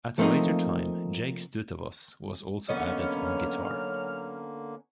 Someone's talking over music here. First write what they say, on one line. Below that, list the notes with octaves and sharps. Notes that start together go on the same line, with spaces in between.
At a later time, Jake Stutevoss was also added on guitar.
F3 A3 A#3 C4 D#4
D3 F#3 A#3 B3 C#4 D#4 F6